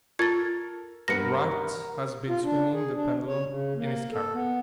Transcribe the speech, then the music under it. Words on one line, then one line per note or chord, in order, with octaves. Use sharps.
Wright has been swinging the pendulum in his cavern.
F4 A4 A#4 G#6 A6
G2 A#3 B3 A#4 F#5 B5 A#6 C#7
F4
D4
G#4
D4
C#5
C#3
A#3
A4
B3